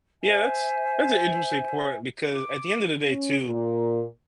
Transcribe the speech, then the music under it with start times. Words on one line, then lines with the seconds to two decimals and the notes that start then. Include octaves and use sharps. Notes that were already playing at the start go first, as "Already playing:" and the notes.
Yeah, that's that's an interesting point because at the end of the day too,
0.22 C5 E5 G#5
2.34 D6
3.05 C#4
3.48 A#2